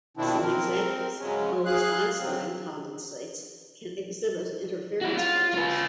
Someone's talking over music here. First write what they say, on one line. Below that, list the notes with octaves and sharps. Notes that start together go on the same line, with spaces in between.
Some examples: Bose-Einstein condensates can exhibit interference fringes.
B2 D#3 F3 C4 D4 E4
C4 A#4
G#2 C#3 F#3 G#3 C#4
G#4 F5 F#6
C3 F#3 C4
E4 F#4
F4
F4 B4